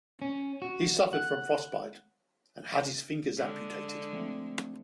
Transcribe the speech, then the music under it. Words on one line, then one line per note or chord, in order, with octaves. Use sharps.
He suffered from frostbite and had his fingers amputated.
C#4
F#4
F#5
D3 G#3
F3 A3 C4